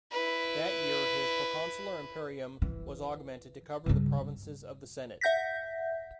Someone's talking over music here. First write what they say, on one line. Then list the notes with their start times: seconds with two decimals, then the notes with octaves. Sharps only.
That year his proconsular imperium was augmented to cover the provinces of the Senate.
0.11 E4 B4
2.62 E3
3.86 G2 C#3
5.21 E5 F#5 G6 A#6 B6